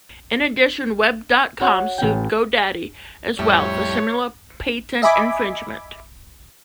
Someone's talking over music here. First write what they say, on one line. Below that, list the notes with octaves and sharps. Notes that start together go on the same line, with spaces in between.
In addition, Web dot com sued Go Daddy as well for similar patent infringement.
F#4 C#5 F#5 C#6 F#6
A1 G5
F2 A2 G3 C#5
D#5 E5 G#5 B5 D6